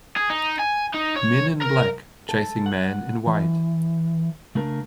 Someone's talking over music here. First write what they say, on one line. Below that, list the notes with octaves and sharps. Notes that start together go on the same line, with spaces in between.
Men in black chasing man in white.
G#4
D#4
G#5
D#4
C#5
A#4
A4
F#5
E3
C#3 A3 D4 A#4